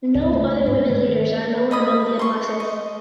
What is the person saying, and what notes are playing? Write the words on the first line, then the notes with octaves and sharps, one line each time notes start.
No other women leaders are known among the Apostles.
C#2 G#2
A3 A#3 C4 C#4
G#2 G#3 D4
D#3 G#3 A3
D#5 B5 D#6
C6 C#6
D#5